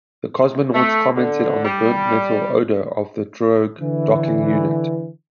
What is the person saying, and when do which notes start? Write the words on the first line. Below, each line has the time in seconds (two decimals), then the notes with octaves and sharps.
The cosmonauts commented on the burnt-metal odor of the drogue docking unit.
0.74 A3
1.15 D3
1.64 G3
3.80 D3 E3